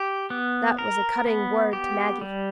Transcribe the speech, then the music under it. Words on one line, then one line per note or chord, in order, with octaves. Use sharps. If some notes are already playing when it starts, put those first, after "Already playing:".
That was a cutting word to Maggie.
Already playing: G4
B3
A#4
B3
G4
G3